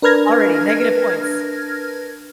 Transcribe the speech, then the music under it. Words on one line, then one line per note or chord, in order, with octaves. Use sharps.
Already negative points.
D4 A#4 B4 F6 G#6 A#6